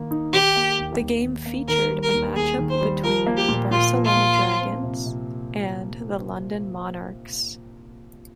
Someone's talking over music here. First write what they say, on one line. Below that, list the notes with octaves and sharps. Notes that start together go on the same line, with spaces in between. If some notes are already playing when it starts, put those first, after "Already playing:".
The game featured a matchup between the Barcelona Dragons and the London Monarchs.
Already playing: D#3 A#3
D#4
D#3 G4
A#3
D#2
D#2
D#3
A#3
D#3 A#4
G3
A#4
D#2
D#2 G#4
D#3
C5
G3
F3 A#4
A#3
G4
A#2
A#2 F4
F3
F4
A#3
F3
C4
C3
C3